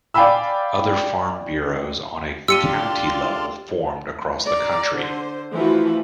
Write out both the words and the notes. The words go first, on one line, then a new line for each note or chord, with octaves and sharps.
Other farm bureaus on a county level formed across the country.
D5 F5 G5 G#5 B5 E6
D4 F4 G4 A4 C6 E6 C#7 D#7
D5 A#5
D3 C5
E3 F3 A3 F#4 B4